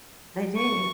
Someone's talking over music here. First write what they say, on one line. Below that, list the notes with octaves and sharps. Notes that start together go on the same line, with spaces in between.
They do.
C#6